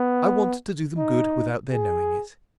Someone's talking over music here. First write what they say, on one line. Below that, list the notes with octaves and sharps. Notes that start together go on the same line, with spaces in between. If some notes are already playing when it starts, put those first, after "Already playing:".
I want to do them good without their knowing it.
Already playing: B3
D#4
G#4